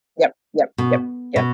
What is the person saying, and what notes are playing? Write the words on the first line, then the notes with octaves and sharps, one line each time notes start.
Yep, yep, yep, yep.
B2
B2